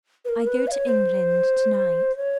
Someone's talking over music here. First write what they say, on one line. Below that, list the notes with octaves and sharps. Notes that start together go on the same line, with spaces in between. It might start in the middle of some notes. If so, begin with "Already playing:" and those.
"I go to England to-night."
B4
A#4
B4
F5
C#5
C5
C#5